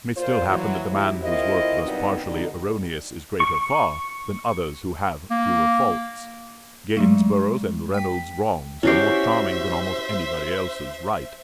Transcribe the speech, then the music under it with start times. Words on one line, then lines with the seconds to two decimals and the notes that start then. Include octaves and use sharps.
It may still happen that the man whose work thus partially erroneous is greater far, than others who have fewer faults. Gainsborough's and Reynolds' wrongs are more charming than almost anybody else's right.
0.17 A#2 F4 C5
0.48 E3 F#3
0.93 G#3 D#4 E4 G4
1.22 D2 C4 E4 F4 A#4 D#5
1.83 F#2 B2 G3 B3 C4 D#4
2.23 B2 D3 G3 D#4
3.40 C#6
5.30 A#3
6.97 F#3 G#3 A3
7.94 G5 B6
8.83 C#4 E4 F#4 G4 C5 E5 C7